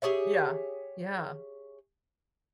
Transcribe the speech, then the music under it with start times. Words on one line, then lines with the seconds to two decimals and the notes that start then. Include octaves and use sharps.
Yeah, yeah.
0.02 G4 G#4 C#5 E5